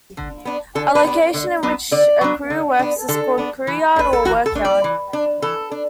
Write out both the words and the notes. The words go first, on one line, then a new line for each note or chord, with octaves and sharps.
A location in which a crew works is called a crewyard or a workyard.
D3
B3 D4
D3 A4
B4
B3 D4
D3
F#3 B3 D4
D3 D5
F#3 B3 D4
D3
B3 D4
D3 A4
B3 D4
E3
A3 D4 B4
A4
E3 F#4
A4
A3 D4
D5
E3
D4
E3 A4
D4